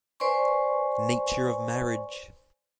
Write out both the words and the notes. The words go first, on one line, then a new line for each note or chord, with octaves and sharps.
Nature of marriage.
B4 C5 D5 G#5 C6 C#6